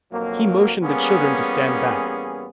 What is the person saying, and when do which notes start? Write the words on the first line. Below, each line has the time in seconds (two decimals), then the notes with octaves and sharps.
He motioned the children to stand back.
0.11 B1 F2 F#3 A#3
0.82 A1 G3 A#3 B3 C#4 G#4